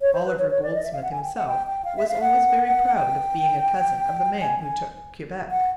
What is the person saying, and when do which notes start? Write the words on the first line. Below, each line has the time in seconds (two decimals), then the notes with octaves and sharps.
Oliver Goldsmith himself was always very proud of being a cousin of the man who took Quebec.
0.01 C#5
0.13 C5
0.26 B4
0.38 C#5
0.50 C#5
0.63 D5
0.74 D#5
0.84 E5
0.93 F5
1.03 F#5
1.12 G#5
1.23 G5
1.36 F#5
1.47 G5
1.67 G5
1.84 F5
1.97 E5
2.09 F5
2.21 F#5
2.95 G5
4.41 G#5
4.59 G#5
5.51 F#5